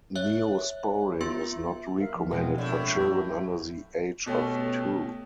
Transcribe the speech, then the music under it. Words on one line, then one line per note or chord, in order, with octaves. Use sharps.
Neosporin is not recommended for children under the age of two.
C#5 E5 F#6
B3 F4 E5 C6 A6
A#4 E5 F5
F3
B2 G#3 C4
A2 D4 E4 D5
F#2
B2 A3 C#4 G4